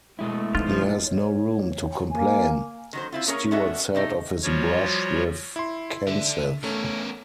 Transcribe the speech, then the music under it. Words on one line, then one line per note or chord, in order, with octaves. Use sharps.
"He has no room to complain," Stewart said of his brush with Kenseth.
B2 G#3 A3 E4
F3 D#4 F4
C#5
A#3 G#5
D#3 F#3 C5
C4 E4 F4
A#3 C#4 G#4 A#4 C#5
G#3 A3 C#4 D4 F#4 E5
C3 A3 D#4
F3 G3 F4 F#4 C#5
E4 C6
D3 D4 E5
A3 B3 C#4 A#4